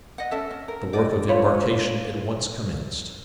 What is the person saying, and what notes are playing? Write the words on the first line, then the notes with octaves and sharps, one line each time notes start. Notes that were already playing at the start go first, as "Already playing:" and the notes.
The work of embarkation at once commenced.
D#5 F#5
C#4 A4 E5
C#4
A#4
D5 D#5
D4 F4 B4 C#5